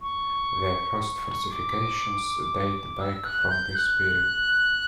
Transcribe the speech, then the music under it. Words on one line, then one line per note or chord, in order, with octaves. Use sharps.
The first fortifications date back from this period.
C#6
D6
E6
F#6
G6
F#6